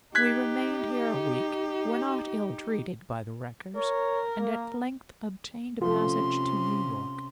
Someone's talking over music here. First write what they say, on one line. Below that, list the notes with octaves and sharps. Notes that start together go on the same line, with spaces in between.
We remained here a week, were not ill-treated by the wreckers, and at length obtained a passage to New York.
D#4 G4 F#6 G#6 B6
A#4 C#5
A#3
C3 F3 A3 C#4 C6